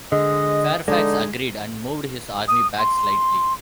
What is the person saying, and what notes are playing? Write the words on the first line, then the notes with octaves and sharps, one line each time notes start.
Fairfax agreed, and moved his army back slightly.
D3 G#3 D#5
D3 G#3 D#4
D#6
C6